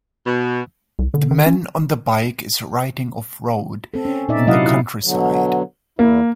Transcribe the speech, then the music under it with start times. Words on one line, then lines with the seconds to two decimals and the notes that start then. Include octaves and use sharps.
The man on the bike is writing off road in the countryside.
0.25 B2
0.99 C2
1.14 D3
1.31 D#3
1.46 C#4
3.94 C4 A4
4.05 C#4
4.28 A#2 D#4 D5 E5
4.47 C3 F#3 E4 D#5 F5 F#5
4.65 E4
5.04 B2 D3 F#3
5.99 E2 A#3 E4